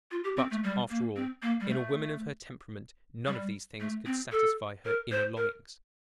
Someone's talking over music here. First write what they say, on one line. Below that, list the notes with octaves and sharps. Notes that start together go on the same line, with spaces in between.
But, after all, in a woman of her temperament none of these things could satisfy her inner longings.
F4
G4
C4
A3
G3
A#3
C4
A#3
G3
A3
G3
A3
C4
A4
A#4
C5
A#4